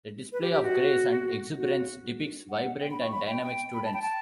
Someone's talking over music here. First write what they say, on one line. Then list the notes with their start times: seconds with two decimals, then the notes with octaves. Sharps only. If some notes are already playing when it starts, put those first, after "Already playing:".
The display of grace and exuberance depicts vibrant and dynamic students.
0.32 B4
0.41 G4
0.52 G4
0.62 F#4
1.56 F#4
2.50 F#5
2.81 G5
2.91 B5
3.01 C#6
3.12 B5
3.27 G5
3.43 G5
3.74 B5
3.84 A5
3.94 G5
4.02 A5